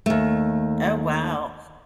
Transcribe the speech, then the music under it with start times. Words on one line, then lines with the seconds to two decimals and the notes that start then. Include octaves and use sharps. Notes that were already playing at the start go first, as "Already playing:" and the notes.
Oh, wow.
0.06 D#2 A3